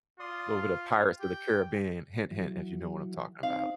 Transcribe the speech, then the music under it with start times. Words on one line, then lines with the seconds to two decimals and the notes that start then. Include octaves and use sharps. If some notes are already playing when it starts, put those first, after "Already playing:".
Little bit of Pirates of the Caribbean, hint hint, if you know what I'm talking about.
0.20 F4 D5 C6 D#6
0.62 F6
1.20 G4 G5
2.31 E3 F#3
3.43 C4 D#4 F5